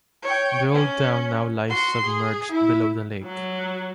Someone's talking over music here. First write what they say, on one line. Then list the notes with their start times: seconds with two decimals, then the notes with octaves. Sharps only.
The old town now lies submerged below the lake.
0.23 C#5 G5
0.74 C#4
1.68 F#4 C6
2.05 G#4
2.51 E4
3.23 F#3